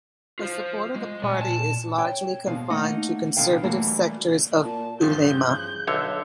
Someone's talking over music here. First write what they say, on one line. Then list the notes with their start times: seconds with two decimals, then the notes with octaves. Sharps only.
The support of the party is largely confined to conservative sectors of ulema.
0.39 F4 C5
0.96 G#3
1.23 A#2 D5 G#5
1.41 A5
1.98 C#5 G5
2.46 D#2 B2 F3 G#3 F5
2.70 A3 A#3 D#4 D#5 F#5
3.36 B2 D3 D#3 F5 G5
3.63 E3 F#3 G3 A3 A#3 F#4
4.64 A#2 A5
5.01 E2 G2 C#3 F3 G6
5.87 B1 D3 C#5 E5